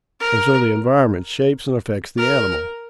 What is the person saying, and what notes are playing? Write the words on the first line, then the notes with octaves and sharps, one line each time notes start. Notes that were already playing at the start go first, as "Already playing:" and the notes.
And so the environment shapes and affects the animal.
A#4
A#4